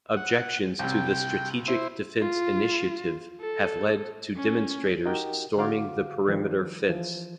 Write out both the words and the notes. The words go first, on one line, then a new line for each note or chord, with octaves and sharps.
Objections to the Strategic Defense Initiative have led to demonstrators storming the perimeter fence.
F#5
C2 C3 G5
E4 C5
F4
A4
C#4
D#4 F#4 G4 A#4 G5
D3 F#4 F5 D6
D#3 F3 G3
E3 F3